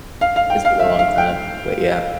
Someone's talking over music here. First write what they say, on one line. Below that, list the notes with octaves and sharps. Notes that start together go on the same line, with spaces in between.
it's been a long time, but yeah.
F5
F5
G5
F5
E5
F5
G5